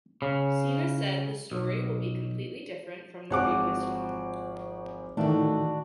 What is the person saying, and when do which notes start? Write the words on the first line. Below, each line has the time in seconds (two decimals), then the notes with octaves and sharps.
Sinha said the story will be completely different from the previous film.
0.22 C#3
1.52 B1
3.30 G#1 F3 F#4 G#4 C#5 F#5 D6
5.17 A2 D#3 E3 A3 D4 F#4